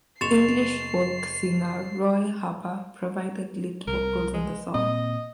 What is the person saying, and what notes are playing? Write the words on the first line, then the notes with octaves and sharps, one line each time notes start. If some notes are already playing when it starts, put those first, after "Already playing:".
English folk singer Roy Harper provided lead vocals on the song.
F#1 C6 C#6 A6 C7 E7 F7
C2 A#4
G#3
A#2 C4 D#5